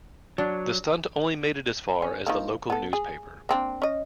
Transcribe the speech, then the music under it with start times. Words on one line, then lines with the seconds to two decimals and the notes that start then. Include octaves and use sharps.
The stunt only made it as far as the local newspaper.
0.38 F#3 D4
2.02 C#4
2.26 D#3 F3 A#3
2.70 B3 A4
2.93 G#4
3.49 A#3 C4 D4
3.82 C#4 D#5